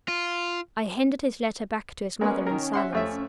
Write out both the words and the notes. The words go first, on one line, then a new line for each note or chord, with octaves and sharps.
I handed his letter back to his mother in silence.
F4
G#3 A#3 B3 C#4
D#3 A#4
E5 F#5 C6
F2 A3 E5